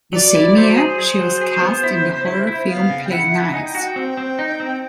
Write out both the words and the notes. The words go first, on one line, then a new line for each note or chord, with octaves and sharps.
The same year, she was cast in the horror film "Play Nice".
F#3 D5
E4
F#3 C5
G#4
G#4
F#3
G#4
B3
E4
C#3
E4
E4
B3 F5
C#3
G5
E4 F#5
E4
D#4 G#5
G5
F#4 F#5
G5
C4
C4
D#4
C4